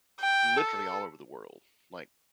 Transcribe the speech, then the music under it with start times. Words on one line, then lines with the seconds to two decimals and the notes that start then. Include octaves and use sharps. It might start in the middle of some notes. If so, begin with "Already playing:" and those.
literally all over the world, like
0.20 G5
0.57 A4